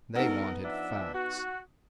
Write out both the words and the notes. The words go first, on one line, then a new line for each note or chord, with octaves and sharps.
They wanted facts.
B3 C#4 D#4 A4 A#4
F3 D4 E5
F#4